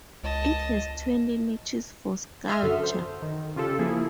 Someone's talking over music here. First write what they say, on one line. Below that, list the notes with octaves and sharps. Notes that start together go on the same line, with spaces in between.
It has twenty niches for sculpture.
C#2 D#5 A5
E5 C6 D#6 F6
F#2 D3 F#4 A4
C5
D#3
C#3 F4 G4 A4
F3 A#3 E4 G#4